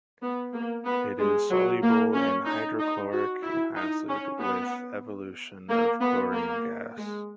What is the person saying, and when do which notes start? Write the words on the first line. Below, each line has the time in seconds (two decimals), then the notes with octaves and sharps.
It is soluble in hydrochloric acid with evolution of chlorine gas.
0.21 B3
0.53 A#3
0.85 B3
1.18 G#3
1.50 F#3
1.83 A#3
2.14 C#4
2.46 D#4
2.79 D#4
3.12 F#4
3.43 E4
3.75 D#4
4.08 C#4
4.40 B3
5.69 A#3
6.01 B3
6.33 A#3
6.98 G#3